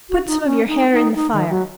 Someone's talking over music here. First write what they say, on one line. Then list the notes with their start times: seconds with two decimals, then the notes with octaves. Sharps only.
Put some of your hair in the fire.
0.10 F#4
0.27 D#4
0.45 C#4
0.68 D#4
0.92 D#4
1.15 D#4
1.33 D#3
1.50 F#3